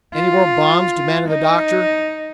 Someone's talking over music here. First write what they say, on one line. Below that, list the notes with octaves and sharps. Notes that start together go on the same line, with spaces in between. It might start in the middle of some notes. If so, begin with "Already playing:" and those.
"Any more bombs?" demanded the doctor.
F4
D#4